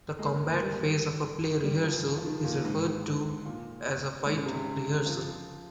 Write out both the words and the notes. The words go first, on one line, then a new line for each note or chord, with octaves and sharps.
The combat phase of a play rehearsal is referred to as a "fight rehearsal".
G#3
A#3
A#3
G3
G3
F3
F3
D#3
A#2
G#2
A#2
G#2
C#3
C3
C#3
F3